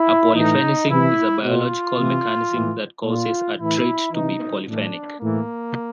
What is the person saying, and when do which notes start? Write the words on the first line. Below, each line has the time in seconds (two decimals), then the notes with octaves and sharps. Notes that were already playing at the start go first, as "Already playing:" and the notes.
A polyphenism is a biological mechanism that causes a trait to be polyphenic.
Already playing: E4
0.35 A2 E3 D#4
0.89 C3 E3 E4
1.43 B2 F4
1.97 C3 E3
2.51 A2 E3
3.04 A#2 F4
3.60 A2 E3 E4
4.12 C3 E3 D#4
4.66 A2 E3 D4
5.20 A2 E3 A#3